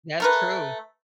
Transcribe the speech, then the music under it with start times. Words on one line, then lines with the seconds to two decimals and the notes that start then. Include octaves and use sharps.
That's true.
0.20 A3 A#4 B4